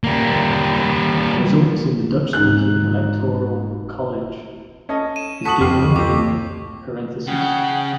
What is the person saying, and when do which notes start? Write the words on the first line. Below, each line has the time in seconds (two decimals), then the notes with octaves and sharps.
Results in the Dutch-speaking electoral college is given in the parenthesis.
0.04 G3 A#3
2.33 G#2 F#6
4.89 C#4 A4 D#5
5.16 D#7 E7
5.45 F#4 A4 C#6 D#6 B6 F#7
5.61 F2 C4 D6 F6 C7
5.81 C#2
5.96 C4 G4 D6
7.27 C#3 F#5 G5